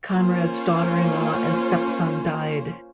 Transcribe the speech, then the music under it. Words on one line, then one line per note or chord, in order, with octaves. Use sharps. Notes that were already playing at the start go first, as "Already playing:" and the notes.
Conrad's daughter-in-law and stepson died.
A#3 C#4 F4 C5